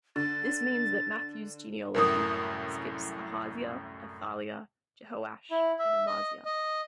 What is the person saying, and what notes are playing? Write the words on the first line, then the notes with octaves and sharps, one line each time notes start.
This means that Matthew's genealogy skips Ahaziah, Athaliah, Jehoash, and Amaziah.
D3 A6
C2 F#2 A2 A#4 D#6
E4
E5
D#5
D#5